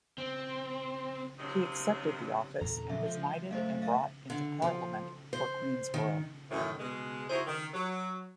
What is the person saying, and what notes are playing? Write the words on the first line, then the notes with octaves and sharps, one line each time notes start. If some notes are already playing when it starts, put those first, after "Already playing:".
He accepted the office, and was knighted and brought into parliament for Queenborough.
C4
C3 D#3 F#3 G#3 A#3 C#4
E2 A#2 A4 A#5
F#2 A#2 F3 F#3 E5
F3 G#3
F#2 A3 C5 D#5 F5
E5 F5 A6
D3
F3
C5
D#3
F#2 A2 D#3 E3
B2 G#3
D#4 E4 F#4 G#4 C5
D#3
F#3